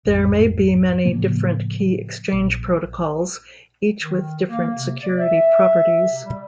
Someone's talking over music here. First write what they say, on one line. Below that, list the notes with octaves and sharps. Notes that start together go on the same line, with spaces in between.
There may be many different key exchange protocols, each with different security properties.
A1 F2 G#2
A2 C#3 F3 A#3
A#1
D#3
A#3
C3
D5
E5
C3
G3